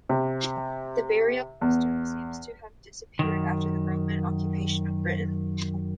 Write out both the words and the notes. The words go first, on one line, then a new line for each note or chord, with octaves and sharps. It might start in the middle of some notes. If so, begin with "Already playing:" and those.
The burial custom seems to have disappeared after the Roman occupation of Britain.
C3
E2
F#2 D#3